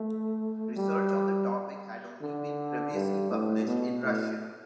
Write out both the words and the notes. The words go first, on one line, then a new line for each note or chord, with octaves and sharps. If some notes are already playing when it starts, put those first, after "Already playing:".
Research on the topic had only been previously published in Russian.
Already playing: A3
G3
D3
G2
A2
B2
A2